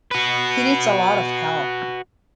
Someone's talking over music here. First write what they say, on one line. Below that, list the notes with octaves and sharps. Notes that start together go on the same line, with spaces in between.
He needs a lot of help.
F#4 B4